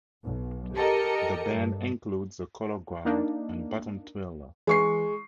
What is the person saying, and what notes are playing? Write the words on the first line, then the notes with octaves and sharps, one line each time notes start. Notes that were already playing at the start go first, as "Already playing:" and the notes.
The band includes the Colorguard and Batton Twirler.
B1
G4 A4 A#4 D#5 C#7
G2
A#3 D4 D#4
E3 G#3 C#6 C7